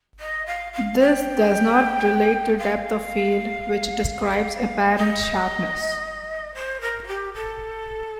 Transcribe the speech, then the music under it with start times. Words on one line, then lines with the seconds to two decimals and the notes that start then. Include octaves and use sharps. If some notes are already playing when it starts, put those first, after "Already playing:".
This does not relate to depth of field which describes apparent sharpness.
0.20 D#5
0.46 F5
0.73 F5
0.99 G5
2.58 F5
4.96 D#5
6.55 C5
6.81 A#4
7.04 F4
7.08 G4
7.34 A4